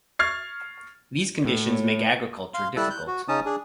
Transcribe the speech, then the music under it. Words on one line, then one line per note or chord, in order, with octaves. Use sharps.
These conditions make agriculture difficult.
C#6 F6 G#6 A6 C7
A2
F5 C6
G3 E4 A4 A5 E6 F#6
F#6 G6
F#4
C#3 C#4 D#4 A5 D#6
D4 G#4